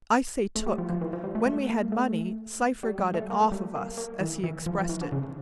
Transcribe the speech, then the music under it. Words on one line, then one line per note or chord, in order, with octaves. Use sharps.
I say "took." When we had money, Cypher got it "off of" us, as he expressed it.
A3
G3
F3
F3
E3
F3
G3
A3
A3
A#3
A3
G3
G3
A3
A#3
A3
G3
A#3
A#3
E3
E3
F3
F3
E3
D3
C#3